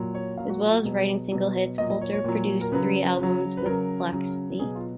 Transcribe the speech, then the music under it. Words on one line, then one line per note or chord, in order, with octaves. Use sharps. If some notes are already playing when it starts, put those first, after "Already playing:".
As well as writing hit singles, Coulter produced three albums with Planxty.
Already playing: A#2 F#3
C#5
A#2 F#3 F5
F#4
F4
F#4
B2 F#3 G#4
B2 F#3
A#2 F#3 D#5
D#5
C#5
C#5
A#2 F#3
A#4
C#3 F#3 B4
C#3 F#3
B4
C#3 F#3 A#4
C#3 F#3
B2 F#3 G#4
F4